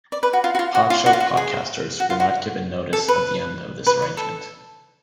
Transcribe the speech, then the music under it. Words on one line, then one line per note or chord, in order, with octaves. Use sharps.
Podshow podcasters were not given notice of the end of this arrangement.
D5
B4
F#4
F4
F#4
F4
F#4
F4
F#4
F4
F#4
G#4
F#4
F4
F#4
A4
B4
B4
C#5
A4